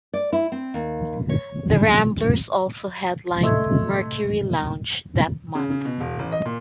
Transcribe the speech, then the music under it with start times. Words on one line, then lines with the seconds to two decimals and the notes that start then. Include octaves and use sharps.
The Ramblers also headlined Mercury Lounge that month.
0.14 D5
0.33 E4
0.52 C4
0.74 D#2
1.29 C#5
1.70 G#3
3.43 A2 C3 A3 D#5 C6 E6 G#6
5.55 C#3
5.70 C#3
5.85 B2
6.00 E1
6.19 A1
6.32 D#5
6.45 A#2